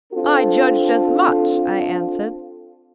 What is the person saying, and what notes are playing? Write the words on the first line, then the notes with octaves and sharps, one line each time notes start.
'I judged as much,' I answered.
C4 D4 F4 A4